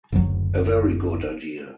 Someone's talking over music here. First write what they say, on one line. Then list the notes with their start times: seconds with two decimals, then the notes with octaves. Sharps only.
A very good idea!
0.12 F#1 D2 F#3